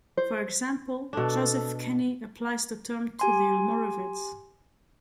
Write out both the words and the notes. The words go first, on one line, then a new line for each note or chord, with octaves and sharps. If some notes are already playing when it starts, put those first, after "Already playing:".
For example, Joseph Kenney applies the term to the Almoravids.
C5
B2 D4 A4
G4 G#5 C6